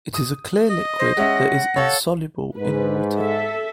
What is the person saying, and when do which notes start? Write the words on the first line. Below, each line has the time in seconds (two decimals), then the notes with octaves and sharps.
It is a clear liquid that is insoluble in water.
0.14 D#6
0.70 D#5
0.99 C5 A#6
1.17 G#3 C#4 E5 F#5
1.76 A4 C#5 F5
2.57 G#2 B4
3.17 A4 E5